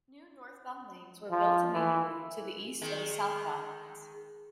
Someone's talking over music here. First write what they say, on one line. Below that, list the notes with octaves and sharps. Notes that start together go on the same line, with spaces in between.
New northbound lanes were built immediately to the east of the southbound lanes.
F3
E3
D#3 G#3